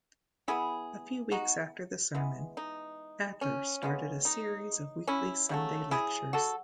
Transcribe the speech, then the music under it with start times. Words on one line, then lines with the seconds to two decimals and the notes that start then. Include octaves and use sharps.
A few weeks after the sermon, Adler started a series of weekly Sunday lectures.
0.48 E3 B3 E4 G#4
1.32 D#4 F#4
2.15 E3 G#3 B3
2.57 D#4
3.41 C#4
3.82 C#3 G#3 B3
4.25 D#4
5.07 C#4 E4
5.49 C#3 F#3 A3
5.91 E4 G#4
6.33 F#4 A4